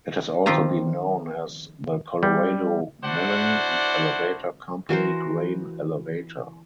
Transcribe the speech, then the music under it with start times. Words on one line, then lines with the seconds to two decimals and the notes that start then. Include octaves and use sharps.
It has also been known as the Colorado Milling and Elevator Company Grain Elevator.
0.46 D#3 F3 C4 F4 G4 A#5
2.23 G3
3.04 D4 E4 F#4 C5 D5 F#5
4.89 E3 F#4 A#4 C5